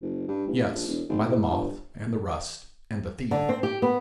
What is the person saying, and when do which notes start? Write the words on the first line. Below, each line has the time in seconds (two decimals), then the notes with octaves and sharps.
"Yes; by the moth and the rust and the thief."
0.02 F#1
0.28 G2
0.47 A1
0.72 A#1
0.87 E1
1.09 G#1
1.28 E2
1.50 G1
3.31 D3
3.49 C4
3.63 G4
3.82 B3